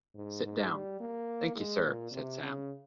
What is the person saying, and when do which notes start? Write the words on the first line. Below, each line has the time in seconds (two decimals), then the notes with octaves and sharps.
'Sit down.’ ‘Thank’ee, sir,’ said Sam.
0.16 G#2
0.44 G#2
0.72 G3
1.00 A#3
1.56 G#3
1.85 A#2
2.12 C3
2.41 C#3